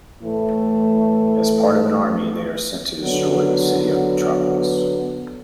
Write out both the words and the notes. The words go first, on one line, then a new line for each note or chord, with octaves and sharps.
As part of an army, they are sent to destroy the city of Metropolis.
A2 E3 A3
D3 F#3 B3